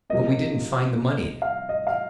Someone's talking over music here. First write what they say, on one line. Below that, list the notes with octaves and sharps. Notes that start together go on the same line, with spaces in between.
But we didn't find the money in it.
C3 F3 A#3 D#5
F5
D#5
F5